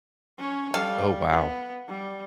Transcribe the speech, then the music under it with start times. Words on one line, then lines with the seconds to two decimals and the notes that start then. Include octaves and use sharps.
Oh, wow.
0.38 C#4 C#5
0.74 G3 A4 F5
1.32 B3
1.88 G3